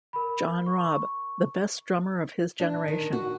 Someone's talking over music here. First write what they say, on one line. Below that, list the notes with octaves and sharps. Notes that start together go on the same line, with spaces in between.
John Robb: The best drummer of his generation.
A#4 B5
C#6
D4
D#3
F#4